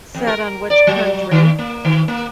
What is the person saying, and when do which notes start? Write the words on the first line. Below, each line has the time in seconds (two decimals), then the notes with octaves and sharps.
set on which country,
0.14 F2
0.27 A#4
0.70 D5
0.87 F#3
1.31 D#3
1.59 A#3
1.85 D#3
2.08 A#3